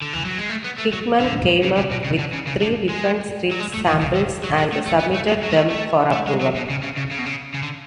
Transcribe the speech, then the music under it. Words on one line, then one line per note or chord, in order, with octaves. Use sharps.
Hickman came up with three different script samples and submitted them for approval.
D3
E3
F#3
G#3
A3
B3
A3
F#3
D3
C#3
C#3
B2
C#3
D3
C#3
C#3
D3
G#3
F#3
G#3
A3
E3
C#3
D3
F#3
G#3
A3
A3
B3
A3
G#3
F#3
G#3
A3
A3
A3
G#3
F#3
B2
C#3
C#3
C#3
C#3
B2
C#3
C#3
D3